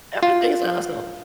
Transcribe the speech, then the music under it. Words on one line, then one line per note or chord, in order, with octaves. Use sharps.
Everything is a hustle.
F4